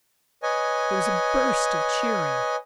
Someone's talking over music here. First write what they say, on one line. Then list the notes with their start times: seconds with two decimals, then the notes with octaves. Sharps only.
There was a burst of cheering.
0.43 B4 C#5 D#5 G#5